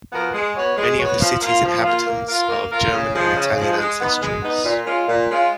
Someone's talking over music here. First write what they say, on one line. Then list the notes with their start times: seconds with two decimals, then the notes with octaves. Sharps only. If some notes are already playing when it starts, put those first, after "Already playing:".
Many of the city's inhabitants are of German and Italian ancestries.
0.12 F3 B3 F#4 A#4
0.33 G#3
0.55 B3 F#4 C#5
0.77 G#3
0.99 B3 F#4 C#5
1.20 F3
1.41 A#3
1.46 F4
1.63 F3
1.84 A#3 F4
2.06 A#3
2.27 F4 A#4
2.49 A#3
2.71 F4 A#4
2.92 C#3
3.14 F3 G#3
3.35 C#3
3.56 F3 G#3
3.79 G#3
4.00 B3 D#4
4.21 G#3
4.42 B3 D#4
4.64 A#2
4.85 G#3 C#4 F4
5.07 A#2
5.29 G#3 C#4 F4